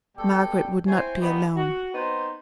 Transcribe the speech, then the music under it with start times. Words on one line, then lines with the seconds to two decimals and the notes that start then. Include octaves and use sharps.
Margaret would not be alone.
0.16 B2 G3 A4 D5 G5
0.86 C4 E4 C5 C#5 F#5 G#5
1.20 E3 G3 A#3 B3 D#4
1.55 F#4
1.94 B3 C4 D#4 A#4 C5